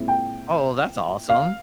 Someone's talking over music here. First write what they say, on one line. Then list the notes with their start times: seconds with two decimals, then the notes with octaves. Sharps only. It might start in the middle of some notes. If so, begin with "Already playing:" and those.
Oh, well that's awesome.
Already playing: A#2 G#3 C4 E4
0.08 G5
1.29 F5